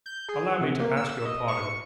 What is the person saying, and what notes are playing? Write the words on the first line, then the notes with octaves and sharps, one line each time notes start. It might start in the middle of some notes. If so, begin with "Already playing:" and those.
Allow me to ask your pardon.
G6
G#4
C3
A#3
E6
D#5
C#6